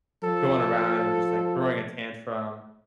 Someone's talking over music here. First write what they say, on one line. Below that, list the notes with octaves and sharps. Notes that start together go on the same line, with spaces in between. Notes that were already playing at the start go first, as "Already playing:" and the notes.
going around and just, like, throwing a tantrum,
F3 A4